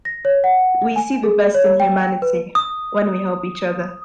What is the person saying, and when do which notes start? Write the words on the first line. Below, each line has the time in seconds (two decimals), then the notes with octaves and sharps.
We see the best in humanity when we help each other.
0.05 A#6
0.25 C#5
0.44 F#5
0.96 G#5
1.24 G#4
1.55 C#5
1.80 G5
2.22 B4
2.55 D#6